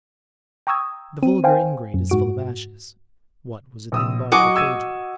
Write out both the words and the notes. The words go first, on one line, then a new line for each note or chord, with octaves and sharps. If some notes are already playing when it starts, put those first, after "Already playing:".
The vulgar ingrate is full of ashes; what was within Barkilphedro?
G5 A#5 C#6 D#6 E6 G#6
C4 D#7
C5 F5 G5 G#5
F#2
G#2 F#4 D7
A#1 D#6 E6
F#3 F#4 D#5 G#5 C#6 D6
E6 G#6 D#7